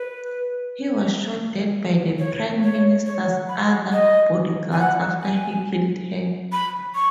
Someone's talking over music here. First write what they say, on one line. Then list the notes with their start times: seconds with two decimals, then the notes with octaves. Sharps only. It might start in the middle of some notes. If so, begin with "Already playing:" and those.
He was shot dead by the Prime Minister's other bodyguards after he killed her.
Already playing: B4
2.19 C#5
2.63 C#5
3.06 C#5
3.28 F#5
3.49 B5
3.71 F#5
3.92 D#5
4.72 G#5
4.79 F#5
5.22 G#5
6.52 B5
6.95 C#6